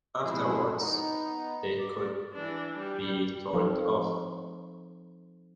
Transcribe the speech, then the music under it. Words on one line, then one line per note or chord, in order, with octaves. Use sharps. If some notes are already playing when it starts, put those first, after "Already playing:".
Afterwards, they could be turned off.
B2 F3 G#3 C4 E4 G#4
B3 D#4
D5
E3 D4
G3
F3 C4 D#4 A4 C5 F5